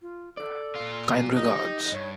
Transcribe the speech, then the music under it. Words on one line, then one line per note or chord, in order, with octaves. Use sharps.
Kind regards.
F4
A4 D5
A#2 F4
D#4 G4 D#5
G2 C#5